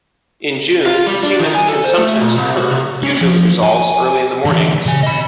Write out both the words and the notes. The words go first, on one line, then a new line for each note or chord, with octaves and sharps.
In June sea mist can sometimes occur usually resolves early in the mornings.
F4
G3
D4
D#3
G#5
A4
C5
A3
A#2
C2
F#4
C3
C#4 D4
F3
G#5
D3 E3
C#3 G#5
D#5 B5